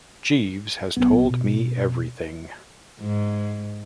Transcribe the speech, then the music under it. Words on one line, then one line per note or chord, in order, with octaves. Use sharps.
Jeeves has told me everything.
B1 B3
B2
G#2